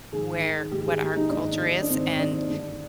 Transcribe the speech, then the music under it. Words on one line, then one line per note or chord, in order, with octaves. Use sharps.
where what our culture is, and,
G#2 D#3 G#4
G#2 D#3 G4
G#4
G4
D#4
G#2 D#3 D4
D4
G#2 D#3 C4
D4
G2 D3